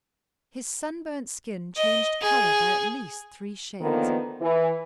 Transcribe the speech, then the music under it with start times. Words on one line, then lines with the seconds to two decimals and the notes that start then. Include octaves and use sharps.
His sunburnt skin changed colour by at least three shades.
1.77 D#5
2.22 G#4
3.80 D3 D#3 F3 A#3 B3
4.40 E3